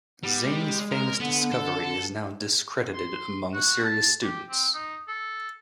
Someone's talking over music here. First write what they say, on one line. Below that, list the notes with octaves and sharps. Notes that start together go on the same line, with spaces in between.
Zani's famous discovery is now discredited among serious students.
G3 B3
G#3
A#4
D3 B3
A4
C6
F#4
A5
G4
C4
D#4
A4